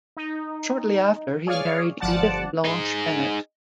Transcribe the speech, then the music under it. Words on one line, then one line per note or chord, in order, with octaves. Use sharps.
Shortly after he married Edith Blanche Bennett.
D#4
G#4 C#5 D5 F5 F6
G1 F3 D5 F#5 A5
D#4 G#4